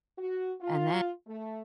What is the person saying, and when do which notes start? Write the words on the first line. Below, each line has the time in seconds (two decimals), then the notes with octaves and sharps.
and then
0.18 F#4
0.61 F4
1.27 A3